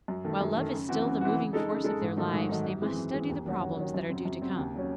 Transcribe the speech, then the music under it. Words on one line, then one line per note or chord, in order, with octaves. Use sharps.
While love is still the moving force of their lives, they must study the problems that are due to come.
F#2
D#3 A3
F#2
D#3 A3
C#3
E3 C4 F#4
C#3
E3 C4 F#4
C#3
G#3 D#4 A4
C#3
G#3 D#4 A4
G#2
D#3 F#3 A3 D#4
G#2
D#3 F#3 A3 D#4
F#2
E3 G#3 C4
F#2
E3 G#3 C4
D#2
D#3 F#3 C#4 F#4
D#2
D#3 F#3 C#4 F#4
F#2
C#3 F#3 C4
F#2
C#3 F#3 C4
D#2
C#3 F#3 C#4